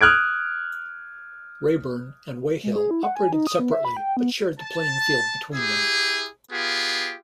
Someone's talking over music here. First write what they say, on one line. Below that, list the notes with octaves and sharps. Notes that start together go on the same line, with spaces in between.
Raeburn and Weyhill operated separately but shared the playing field between them.
D#6 F6 F#6 G#6 D7
G#3
G#4
E4
F#5
G#5
D#4
D#6
B3
E5
B5
G5
B3
A5
E4 G4 G#4
B3 F4 G4 G#4